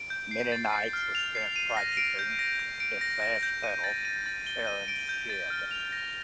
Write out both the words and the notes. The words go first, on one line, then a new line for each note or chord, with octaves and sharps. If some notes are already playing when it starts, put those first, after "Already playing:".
Many nights were spent practicing in "Fast Pedal" Farran's shed.
Already playing: D7
G6
C7
A6
C7
F6
F7
C7
D#7
A#6
D7
G6
A#6
G6
D7
A#6
A#6
G6
D#7
A6
D#7
A6
G7
D#7
D7
G6
A6
F6
F7
A#6